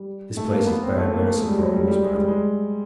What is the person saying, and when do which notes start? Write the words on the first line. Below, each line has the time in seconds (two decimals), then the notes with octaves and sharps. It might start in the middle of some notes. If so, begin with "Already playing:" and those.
This place is bad medicine for a horse battle.
Already playing: G3
0.37 A3
0.52 A#3
0.67 B3
0.82 C4
0.98 A3
1.13 A#3
1.27 A3
1.37 G#3
1.48 G3
1.58 F#3
1.73 G3
1.88 G3
2.03 G#3
2.15 G3
2.28 G#3